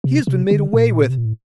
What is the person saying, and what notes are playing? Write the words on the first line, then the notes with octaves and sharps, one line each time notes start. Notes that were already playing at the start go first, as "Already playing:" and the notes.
He has been made away with.
C3
C3
D3
A#2
C3
A#2
A2